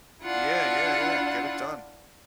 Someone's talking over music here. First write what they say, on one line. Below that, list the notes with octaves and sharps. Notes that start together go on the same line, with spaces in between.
Yeah, yeah, yeah, get it done.
D4 E4 F4 F#5